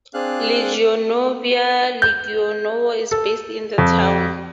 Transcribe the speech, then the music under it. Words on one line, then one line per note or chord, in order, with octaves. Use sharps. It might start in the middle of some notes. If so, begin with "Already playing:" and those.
Legionovia Legionowo is based in the town.
C4 D4 G#4 F5 F#6
G6
A4
F2